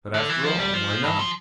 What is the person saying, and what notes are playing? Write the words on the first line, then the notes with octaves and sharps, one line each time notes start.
But, after all, why not?
D3
E3
F3
G3
F3
G2
F3